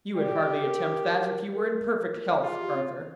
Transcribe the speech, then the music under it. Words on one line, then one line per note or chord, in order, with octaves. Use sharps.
"You would hardly attempt that if you were in perfect health, Arthur."
G4 D5
A#4
A#4
F4 G#4
G4
C4